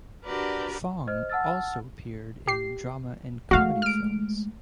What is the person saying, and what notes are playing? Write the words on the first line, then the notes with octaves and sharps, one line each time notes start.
Fong also appeared in drama and comedy films.
D4 F#4 G4 A#4 B4 D5
C5 D#5 F6
F#5 A5 E6 F6 A6
G4 C7
G#3 A3 F#4 F5
F6 D7